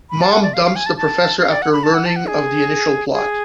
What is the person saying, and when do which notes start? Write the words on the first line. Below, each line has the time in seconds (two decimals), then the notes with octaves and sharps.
Mom dumps the Professor after learning of the initial plot.
0.10 B5
0.21 A5
0.32 F#5
0.43 D5
0.54 F5
0.65 F5
0.76 G#5
0.86 A5
0.97 A5
1.40 F5
1.51 D5
1.62 F#5
1.72 B5
1.83 A5
1.94 F#5
2.06 A5
2.16 F#5
2.27 G#4
3.14 G#4